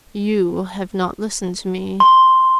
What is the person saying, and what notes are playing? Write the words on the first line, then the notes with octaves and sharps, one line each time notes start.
You have not listened to me.
C6